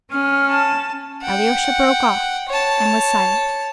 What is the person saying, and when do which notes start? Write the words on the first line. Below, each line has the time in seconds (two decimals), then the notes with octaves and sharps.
Alyosha broke off and was silent.
0.12 C#4 F6
0.50 A5
1.23 F#5 G5
2.49 C#5 A5